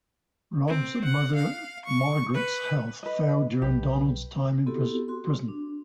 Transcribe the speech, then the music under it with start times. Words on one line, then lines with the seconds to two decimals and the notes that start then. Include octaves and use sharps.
Rob's mother Margaret's health failed during Donald's time in prison.
0.68 C4
1.05 F#5
1.35 F5
1.85 C#6
2.34 B4
3.03 B4 D#5
3.62 B1 G4 B4
4.66 B3 C4 E4 F#4 G4 A4
5.08 F#4 C6
5.48 D4